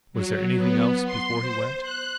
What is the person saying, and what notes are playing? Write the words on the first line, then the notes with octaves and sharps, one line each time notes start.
Was there anything else before he went?
F#3
B3
C6
C5
F#6